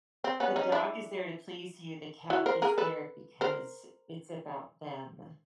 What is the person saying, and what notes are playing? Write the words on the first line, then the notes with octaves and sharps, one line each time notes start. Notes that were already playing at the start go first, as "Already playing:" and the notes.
the dog is there to please you, the cat is there because it's about them.
C4
B3 C#4
C#4 D#4
D4 E4
E4 F#4
A#4 C5
G#4 A#4
A4 B4
A#4 C5